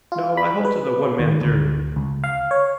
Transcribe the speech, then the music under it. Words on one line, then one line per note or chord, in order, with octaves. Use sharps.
"No, I hold to the one man theory."
F4
B5
B4
D#2
D2
C#2
F5
C#5